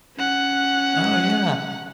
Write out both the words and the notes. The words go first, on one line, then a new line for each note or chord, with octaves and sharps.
Oh, yeah.
C#4 F#5